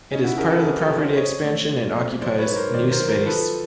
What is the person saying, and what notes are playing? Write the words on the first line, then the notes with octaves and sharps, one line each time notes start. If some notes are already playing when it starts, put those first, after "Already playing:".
It is part of the property expansion and occupies new space.
C#3 C#4 D#4
E4 F#4
C#3 G#4 A#4
A4 B4
F2 G#4 A#4
G4 A4
C#3
C5 D5
C#3 C#5 D#5
A3
F2
F2
F#3 C5 D5
B4 C#5
G#2
A#4 C5
D#3 C5 D5
A#4 C5
F#3
A#4 C5
F3 A4 B4